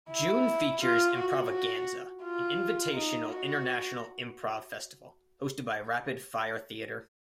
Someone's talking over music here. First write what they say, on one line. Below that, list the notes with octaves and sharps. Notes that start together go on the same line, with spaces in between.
June features Improvaganza, an invitational international improv festival, hosted by Rapid Fire Theatre.
E4
F4
F#4
F#4
F4
D#4
F#4